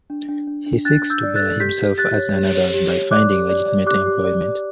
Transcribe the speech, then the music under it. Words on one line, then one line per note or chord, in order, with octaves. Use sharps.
He seeks to better himself as an adult by finding legitimate employment.
D4
D4
D4
D4
D4 F#6 A6
D4
E6 G6
D5
F#6 A6
A4
G4 G6 B6
G4
G4 F#6 A6
C#5
G4
C#5
G4
C#5
D5 D6 F#6
G4
D5
D5
G4 D6 F#6
G4
D5
D5